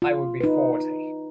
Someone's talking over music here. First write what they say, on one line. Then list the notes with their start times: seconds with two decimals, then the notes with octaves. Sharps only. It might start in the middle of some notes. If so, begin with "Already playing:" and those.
I will be forty.
0.02 F4
0.41 D#4 B4